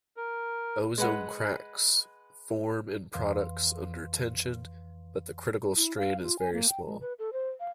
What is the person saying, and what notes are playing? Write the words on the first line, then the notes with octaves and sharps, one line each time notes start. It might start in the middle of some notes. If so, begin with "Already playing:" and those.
Ozone cracks form in products under tension, but the critical strain is very small.
A#4
G#3 B4 F#5
F2 E3 B4 F5 C6
E4
F5
F4
G#5
A#3
G5
G#3
B4
A4
C5
F5